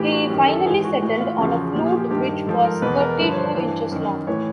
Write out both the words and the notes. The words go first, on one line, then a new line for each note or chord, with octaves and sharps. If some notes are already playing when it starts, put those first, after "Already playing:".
He finally settled on a flute which was thirty two inches long.
Already playing: A2 E3 G4
F#4
F#2 D#3 G4
A4
G#2 E3 G#4
F#4
A2 E3 F#4
F4
E2 C#3 F3 F#4
A#2 F3 G4
G#4
G4
G2 D#3 G4
G4
G#2 F3 A4
A#4
E2 B2 B4
A#4
G2 D3 F3 B4
C#5
C5
G2 E3
F#2 D#3
A2 E3 C#5